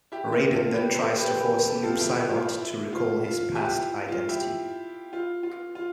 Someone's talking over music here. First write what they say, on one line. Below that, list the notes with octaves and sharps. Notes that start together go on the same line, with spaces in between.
Raiden then tries to force Noob Saibot to recall his past identity.
E4 G4
E4 G4
F4 A4
G4 B4
A4 C5
G4 B4
G4 B4
A4
G4
F4 A4
E4 G4
F4
E4
F4
F4
E4 G4
F4
E4 G4
F4
F4
F4